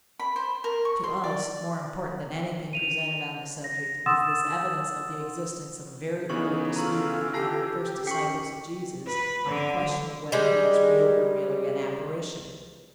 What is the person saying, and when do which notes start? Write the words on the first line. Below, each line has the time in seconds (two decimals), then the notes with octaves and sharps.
To us, more important than anything presented on this subject, is this evidence of the existence of a very early dispute among the first disciples of Jesus on the question of whether he was real or merely an apparition.
0.19 B5
0.36 C5
0.64 A#4
0.85 C#6
1.04 C6
1.24 D5
2.73 D#7 F7
3.64 A#6
4.06 F#5 C6 D#6 E6 A6 E7
6.30 C#3 E3 B3 D#4 C#6
6.76 F4 A4 A#5 C#6
7.33 F4 G4 A5 C7
8.07 C#4 G5 C#6 B6 C#7
9.06 B4
9.47 D3
10.32 G3 G#3